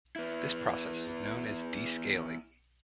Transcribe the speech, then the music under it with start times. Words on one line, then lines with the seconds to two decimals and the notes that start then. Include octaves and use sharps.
This process is known as descaling.
0.16 B3 E4